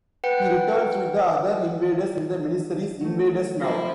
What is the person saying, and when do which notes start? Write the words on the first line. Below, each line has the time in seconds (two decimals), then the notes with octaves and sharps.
He returns with the other Invaders in the miniseries Invaders Now!
0.24 B4 F#5 G5
3.01 F#3 A3
3.60 F3 E4